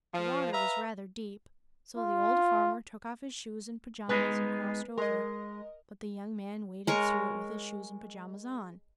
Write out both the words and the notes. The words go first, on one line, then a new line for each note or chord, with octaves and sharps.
The water was rather deep, so the old farmer took off his shoes and pajamas and crossed over; but the young man waded through it with his shoes and pajamas on.
F3
B4 E5 F5 A#5
F4
G#3 B3 D#4 B4 C7
G#3 A#4 D#5
G#3 A#4 C#5 C#6